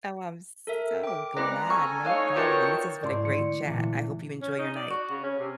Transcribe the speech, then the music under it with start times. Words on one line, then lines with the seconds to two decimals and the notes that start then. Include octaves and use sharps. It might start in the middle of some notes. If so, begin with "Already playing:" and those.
Oh, I'm so glad, no problem. And this has been a great chat, I hope you enjoy your night.
0.67 A4 A#4 E5
1.03 G5 D6
1.37 G#3 C4 E4 B4 D5 A#5 F#6 A#6
1.70 A4 G#5 C#6 F6
2.05 D4 D#4 C#5 D#5 F5
2.36 A3 B3 D4 F4 F#4 A#4 G5 A5
3.03 G#2 A3 E4 D5 C6
3.25 D3 C#7
3.66 A#2 E3 E4
4.41 C#4
4.58 D#4
4.76 D5
4.90 F#4
5.10 C#3
5.23 C#4
5.39 C3